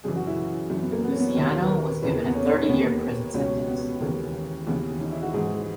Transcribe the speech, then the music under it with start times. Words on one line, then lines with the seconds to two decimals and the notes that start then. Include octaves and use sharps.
Luciano was given a thirty-year prison sentence.
0.04 F#2 C#3 E3 G#4
0.16 F#4
0.27 E4
0.70 F#2
0.75 E3
0.82 B3
0.92 A#3
1.04 B3
1.12 C#4
1.20 B3
1.28 C#4
1.36 D#2 D#3
1.62 B4
1.70 A#4
2.02 E2 C#3 E3 B4
2.15 A#3
2.26 B3
2.35 C#4
2.46 B3
2.57 C#4
2.69 D#2 D#3 B3
2.80 A#3
3.34 C#2 B2 C#4
3.67 B3
4.01 D#2 C#3 E3 A#3
4.67 D#2 C#3 E3 B3
5.00 D#4
5.11 E4
5.22 F#4
5.33 G#2 E3 G#4